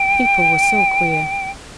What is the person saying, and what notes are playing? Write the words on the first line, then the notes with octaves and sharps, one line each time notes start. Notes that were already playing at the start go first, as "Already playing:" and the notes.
People were so queer.
Already playing: G5